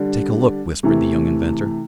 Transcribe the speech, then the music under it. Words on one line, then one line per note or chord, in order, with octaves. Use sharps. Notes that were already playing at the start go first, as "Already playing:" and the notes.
"Take a look," whispered the young inventor.
Already playing: D3 G3 D4
C3 E3 A3